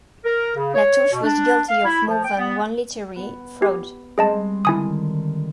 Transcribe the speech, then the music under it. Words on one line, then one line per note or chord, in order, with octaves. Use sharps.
Latouche was guilty of more than one literary fraud.
A#4
C#3
C#5
B2
D4
F5
E4
F3
G5
B3
B3
G4
G3 G#3 C4 G#4 D#5 A5
D3 D#3 E4 G#5 D#6